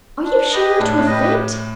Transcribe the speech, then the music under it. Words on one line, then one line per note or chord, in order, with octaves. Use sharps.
Are you sure it will fit?
D4
G4 B4 D#5
A2 D4
A2
G4 B4 D#5